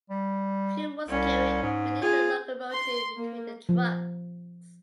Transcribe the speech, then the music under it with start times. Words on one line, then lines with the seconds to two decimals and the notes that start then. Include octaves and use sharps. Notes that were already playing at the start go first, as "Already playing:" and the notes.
Fuel was carried beneath the locomotive between the trucks.
0.10 G3
1.08 C2 C#4
1.63 G#2
2.02 F4 G#4
2.72 C6
3.16 A#3
3.69 F3